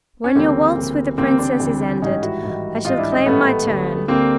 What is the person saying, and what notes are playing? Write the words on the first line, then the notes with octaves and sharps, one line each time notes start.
When your waltz with the Princess is ended I shall claim my turn.
C#4
D2 C#3 E3 G3 A#3 C4
D2 C#3 E3 G3
D2 C#3 E3 G3 A#3 C4
C4 D4
D2 C#3 E3 G3
A1 G#2 D#3 G3 C#4 D#4
E4 F#4
A1 G#2 D#3 G3
A1 G#2 D#3 G3 D#4 F4
D4 E4
C#4 D#4
A1 G#2 D#3 G3 A3 B3
D2 D3 G3
D2 D3 G3 A#3 C4